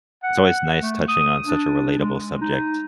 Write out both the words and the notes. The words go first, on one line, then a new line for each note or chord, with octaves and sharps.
It's always nice touching on such a relatable subject.
F#5
A3
D#6
D4
G#3
D#4